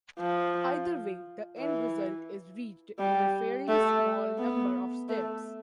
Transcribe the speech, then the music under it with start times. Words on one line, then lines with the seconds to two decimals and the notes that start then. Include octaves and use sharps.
Either way, the end result is reached in a fairly small number of steps.
0.19 F3
1.58 E3
2.98 G3
3.68 A3
4.39 B3
5.09 A3